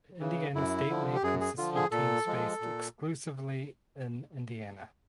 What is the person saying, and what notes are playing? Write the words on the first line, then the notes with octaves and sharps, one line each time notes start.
The Indiana State League consisted of teams based exclusively in Indiana.
C#3 E3
F#2 E4
D3 F3
G4
F#2 G#4
G#4
D3 F3 F4
G#4
A#2 A4
F3 G#3
A#2